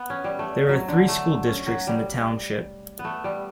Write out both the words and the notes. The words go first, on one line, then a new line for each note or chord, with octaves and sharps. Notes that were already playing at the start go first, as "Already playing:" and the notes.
There are three school districts in the township.
Already playing: B3
C#4
G3
A3
F#3
D3
A3
C#4
F#3
G3
B3
A3
G3